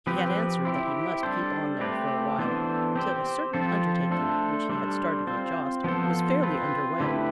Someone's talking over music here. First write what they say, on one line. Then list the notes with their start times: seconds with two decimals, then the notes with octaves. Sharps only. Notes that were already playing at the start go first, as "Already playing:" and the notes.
He had answered that he must keep on there for awhile, till a certain undertaking which he had started with Jost was fairly under way.
0.07 F3 C4 G4 B4
0.65 C4 E4 G4
1.23 G3 D4 A4 C5
1.80 A3 C4 G4 B4
2.38 E3 B3 D4 A4 C5
2.96 C4 G4 C5
3.53 F3 C4 F4 A4 C5
4.11 A3 D4 A4 C5
4.69 G3 D4 A4 C5
5.27 C4 F4 C5
5.84 F3 B3 F4 A4 C5
6.43 C4 F4 B4
7.00 D3 A3 E4 G4 B4